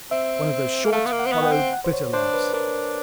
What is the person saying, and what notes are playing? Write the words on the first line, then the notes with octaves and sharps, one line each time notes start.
One of those short, hollow, bitter laughs.
C4 E5
A#3
A3 F5
B3
A#3
F#5
C4
B3
G5
F#5
C4
F#5
C5
C#5
D4 C5
B4
D4 A#4